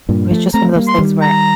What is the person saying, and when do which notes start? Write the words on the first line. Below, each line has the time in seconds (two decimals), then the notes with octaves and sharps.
it was just one of those things where
0.09 G2 A#2
0.31 F3 A3
0.53 A3 C4 A#5
0.76 G3 A#3
0.88 C6
0.99 D#3 G3
1.22 A#5